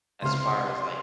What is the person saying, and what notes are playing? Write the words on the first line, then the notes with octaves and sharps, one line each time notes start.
as far as, like,
C#2 C3 C6 F6